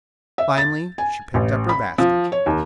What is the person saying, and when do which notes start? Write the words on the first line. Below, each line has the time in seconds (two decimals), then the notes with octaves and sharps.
Finally she picked up her basket.
0.38 E5
0.58 A6
0.98 G#5
1.34 A1
1.69 B5
1.98 F3
2.32 C#5
2.46 D#2